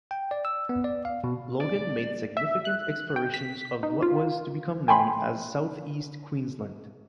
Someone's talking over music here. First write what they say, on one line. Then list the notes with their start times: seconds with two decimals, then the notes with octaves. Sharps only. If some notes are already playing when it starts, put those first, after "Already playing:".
Logan made significant explorations of what was to become known as South East Queensland.
0.11 G5
0.31 D5
0.45 E6
0.69 B3
0.84 D5
1.05 F5
1.24 B2
1.61 D5
2.37 E5
2.65 F#6
3.16 G5
3.34 B6
3.83 D#4
4.02 F4
4.88 G5 G#5 B5 C6